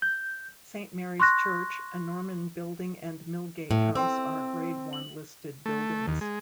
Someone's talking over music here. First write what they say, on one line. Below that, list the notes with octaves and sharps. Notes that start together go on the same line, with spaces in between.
Saint Mary's church, a Norman building and Milgate House are Grade One listed buildings.
G6
C6 C#6 F#6 A#6
A2
C4 G5 C6 E6
F#7
A3
D#2
G#3